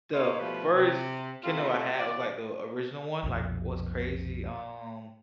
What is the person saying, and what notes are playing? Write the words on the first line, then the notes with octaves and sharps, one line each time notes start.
the first Kindle I had was, like, the original one, like, what's crazy, um
A#3 D#4 C5 C#5
B2 F3 G3 A3 B4
C3
C3 A3 C#4 F4
E3 F4 D5
B1 F2 A#2